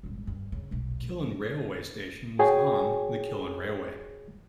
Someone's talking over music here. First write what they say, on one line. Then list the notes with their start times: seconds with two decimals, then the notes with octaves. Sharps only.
Killin railway station was on the Killin Railway.
0.03 D#1 G#1
0.27 G2
0.52 C#3
0.71 D#1 B1
1.03 A3
2.39 F#4 G#4 C#5 G5 G#5